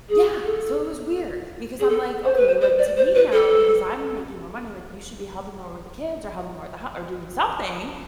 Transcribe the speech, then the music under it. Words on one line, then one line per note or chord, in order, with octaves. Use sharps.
Yeah, so it was weird because I'm, like, "Okay" like, to me, now because I'm making more money, like, "you should be helping more with the kids or helping more with the hou or doing something,
G#4
A4
G#4
A4
C5
B4
C5
C5
D5
C5
B4
A4